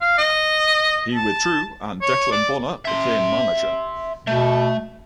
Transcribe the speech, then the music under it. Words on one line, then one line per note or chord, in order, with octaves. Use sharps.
He withdrew and Declan Bonner became manager.
F5
D#5
A5
C#5
D5
E5 C6
B2 A3